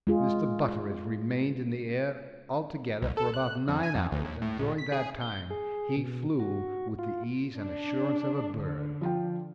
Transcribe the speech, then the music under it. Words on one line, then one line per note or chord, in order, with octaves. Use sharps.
Mr. Butteridge remained in the air altogether for about nine hours, and during that time he flew with the ease and assurance of a bird.
G#3 F4 G#4
C2
A4
F#6
F2
G#5
F2
D2
D#2
A2
A#1
B6
G#4
G6
G#4
B2
F#4
F4
D4
D3
F3 F4 G5